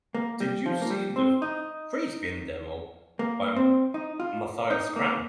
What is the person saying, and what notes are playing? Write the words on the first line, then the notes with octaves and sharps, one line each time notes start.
Did you see the "Freespin demo" by Matthias Kramm?
A#3
G3
F3
A#3
G3
C4
D#4
A#3
C4
D#4
F4
D#4
A#3